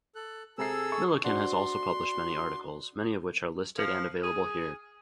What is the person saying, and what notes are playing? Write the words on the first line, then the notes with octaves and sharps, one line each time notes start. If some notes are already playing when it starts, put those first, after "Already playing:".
Millikan has also published many articles, many of which are listed and available here.
A4 F#6
C3 G#4 A4 A#5 E6 C7
C#6
D4 F#4 C5 C6
F3
G#4